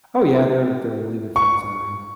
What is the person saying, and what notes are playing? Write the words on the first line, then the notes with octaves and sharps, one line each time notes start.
Oh, yeah, they're they're really good friends of mine.
C#6